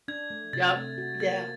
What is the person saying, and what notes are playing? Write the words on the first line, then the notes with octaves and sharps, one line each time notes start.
Yep, yeah.
D4 G#6
A3
C3 A6
A3
F#4
A#3 A6